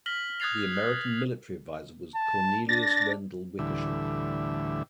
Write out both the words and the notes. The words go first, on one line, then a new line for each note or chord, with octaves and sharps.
The American military advisor was Cornelius Wendell Wickersham.
F6 A#6 B6 F#7 G7
D#6 F#6 G#6 A6 C7 F7
A5
D4 A6 A#6
D2 A2 D3 E3 G3 E5